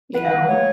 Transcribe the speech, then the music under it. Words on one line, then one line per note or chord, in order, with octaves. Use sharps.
You know?
B4 F#5
F5
F#5
C#5